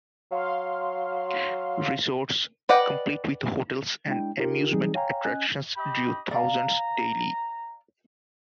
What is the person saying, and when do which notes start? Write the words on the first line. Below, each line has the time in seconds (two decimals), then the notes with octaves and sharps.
Resorts, complete with hotels and amusement attractions, drew thousands daily.
0.31 F#3 F5 C6
2.69 B4 D5 D#5 F#5 G5
4.07 G#3 D4 E4 G5
4.38 D#4 F4 G4 A#4
4.71 E3 F#3 G3 C4 D#4 G#4
4.94 C#5 F5 G5 G#5 A#5
5.25 C#4 D#5 G#5 F#6
5.77 G4 D#5 B5
6.31 D5 F5 A#5